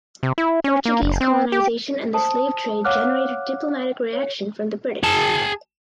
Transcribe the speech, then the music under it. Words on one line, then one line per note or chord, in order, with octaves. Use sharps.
Portuguese colonization and the slave trade generated diplomatic reaction from the British.
C3
E4
C#4
A#3
F#1
C4
G4
C5 A5 D#6
C#5 F5 F#5 D6 F6 F#6
C#5
G#4 A5